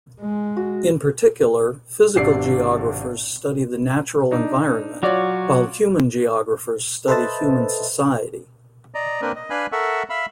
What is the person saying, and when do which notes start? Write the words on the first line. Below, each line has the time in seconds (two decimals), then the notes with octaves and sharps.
In particular, physical geographers study the natural environment while human geographers study human society.
0.21 G#3
0.56 F#4
2.16 G#1 C3 D4 D5 C7
4.31 D4 D#4
5.03 F#3 F4 F#4 C#5 D5
7.08 A4 B4 C5 D#5 E5 A5
8.95 D5 D#5 A#5
9.22 A#3 C4 D4 A#4 B4
9.35 D#5
9.50 D4 B4 F5 G#5 B5
9.72 A4 A#4 E5 F#5 C#6
10.09 E5 F5 B5